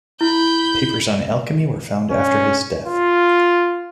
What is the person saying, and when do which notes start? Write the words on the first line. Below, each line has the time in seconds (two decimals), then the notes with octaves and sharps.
Papers on alchemy were found after his death.
0.21 E4 B5 G6
2.10 C#4
2.87 F4